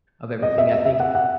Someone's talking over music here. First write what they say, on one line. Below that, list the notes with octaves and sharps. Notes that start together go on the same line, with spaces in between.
of everything I think,
D#5
E5
E5
E5
F#5
F#5